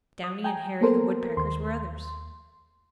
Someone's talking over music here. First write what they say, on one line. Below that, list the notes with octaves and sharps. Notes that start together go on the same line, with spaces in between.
Downy and Hairy the Woodpeckers were others.
D#6
G5 G#5 A#5
A#3 B3 A4 A#4 C5
D#2 C6